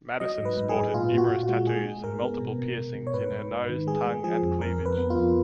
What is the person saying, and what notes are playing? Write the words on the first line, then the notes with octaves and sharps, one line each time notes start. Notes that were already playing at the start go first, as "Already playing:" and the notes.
Madison sported numerous tattoos and multiple piercings in her nose, tongue and cleavage.
F#3 D#5
G#2
B4
G#2
G#4
G#2
A#2 F4
A#2
F#4
A#2
F#4
G#3
G#3 G#4
G#3
G#2 A#4
B3
B2
B2
B2
B2
C#5
G#2 B4
G#2
G#2
D#3
G#3 G#4
G#3
F3 G#4
F2
F2 A#4
F2
B4
B3
F4
F2